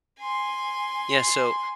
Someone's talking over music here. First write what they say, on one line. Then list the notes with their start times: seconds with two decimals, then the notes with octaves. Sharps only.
Yeah, so
0.20 G#5 C6